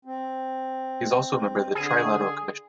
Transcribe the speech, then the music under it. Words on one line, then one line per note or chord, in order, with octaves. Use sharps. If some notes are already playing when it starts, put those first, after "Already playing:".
He is also a member of the Trilateral Commission.
C4
D3 G#4